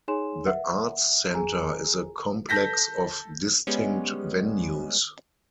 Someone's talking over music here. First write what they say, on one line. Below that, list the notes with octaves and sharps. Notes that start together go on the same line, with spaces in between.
The Arts Centre is a complex of distinct venues.
D#4 G#4 C#5 G#5 C6 E7
E5 F#5
G#4 G#5 A#5
A4 G6 A#6 B6
G3 G#3 B3 C#4